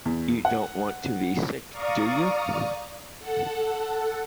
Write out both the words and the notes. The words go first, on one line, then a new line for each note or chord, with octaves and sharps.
You don't want to be sick, do you?
E2
F#5
D5 F5 A#5 C#6 D#6
A4 F#5